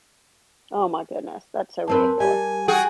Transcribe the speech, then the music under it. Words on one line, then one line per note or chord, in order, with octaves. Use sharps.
Oh my goodness. That's so ridiculous.
F#2 C4 A#4 B4 A5
G3 G#5
F#4 G#4 G5